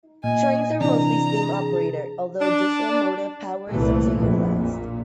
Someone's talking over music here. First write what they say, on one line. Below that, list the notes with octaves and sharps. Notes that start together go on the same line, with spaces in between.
Trains are mostly steam-operated, although diesel motive power is also utilised.
A#2 D#5 G#5
C3 E3 D4 A#5
G#4
D4
C2 A#2 E3 A3
A#1 F2
A#2